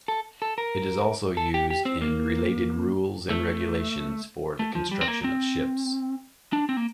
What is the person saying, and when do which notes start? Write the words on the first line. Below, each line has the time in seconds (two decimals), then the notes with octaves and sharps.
It is also used in related rules and regulations for the construction of ships.
0.08 A4
0.42 A4
0.58 A#4
1.37 A4
1.54 G4
1.70 G4
1.85 C4
2.01 A#3
3.30 A3
4.59 A3
4.75 F3
4.91 G3
5.01 C4
5.08 A#3
5.24 C4
6.53 D4
6.69 C4
6.77 A#3